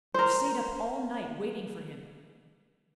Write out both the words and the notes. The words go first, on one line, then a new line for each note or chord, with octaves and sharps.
I've sate up all night waiting for him.
A#4 C5